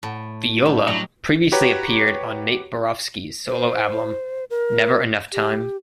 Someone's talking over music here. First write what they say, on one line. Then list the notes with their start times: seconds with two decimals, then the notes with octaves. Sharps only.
"Viola" previously appeared on Nate Borofsky's solo album, "Never Enough Time".
0.03 A2
0.66 G3 D4 E4 G4
0.87 F#3 D#4
1.52 F#4 G4 B4 C#5 A#5
3.47 C5
4.50 A#4
5.33 G4